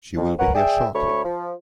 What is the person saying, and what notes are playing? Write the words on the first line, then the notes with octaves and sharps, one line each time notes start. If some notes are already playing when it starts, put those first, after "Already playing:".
She will be here shortly.
F2
A#4 B4 C#5 F#5
G#4 D5 E5 G5
D2 A3 C#5 B5 C#6
F3